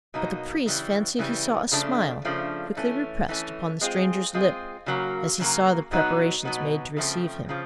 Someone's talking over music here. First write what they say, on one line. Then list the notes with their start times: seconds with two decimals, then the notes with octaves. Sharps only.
But the priest fancied he saw a smile, quickly repressed, upon the stranger's lip as he saw the preparations made to receive him.
0.14 B2 F#3 A#3 D#4
0.66 C#3 E3 G3
1.19 C#3 E3 G3
1.72 C#3 F3 A3 D4
2.25 C#3 F3 A3 D4
2.77 E3 A3 C#4
3.29 E3 A3 C#4
3.81 G#3 C4 F4 G#4
4.34 G#3 C4 F4 G#4
4.86 C#3 F#3 A#3
5.40 C#3 F#3 A#3
5.91 B2 F#3 B3 D#4
6.44 B2 F#3 B3 D#4
6.97 C#3 F3 A3 C4
7.49 C#3 F3